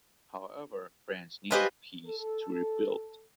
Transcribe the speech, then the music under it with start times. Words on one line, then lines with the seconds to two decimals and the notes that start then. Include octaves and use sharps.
However, France needed peace to rebuild.
1.51 F4 G4 B4 C5 D#5 G#5
2.07 A4